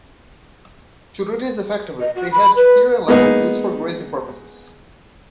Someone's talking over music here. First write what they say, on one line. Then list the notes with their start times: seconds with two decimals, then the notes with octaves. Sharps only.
To do this effectively, they had to clear and level fields for grazing purposes.
1.99 D#5
2.15 F#4
2.31 B5
2.56 B4
3.08 G#3 A#3 B3 D#4 G#4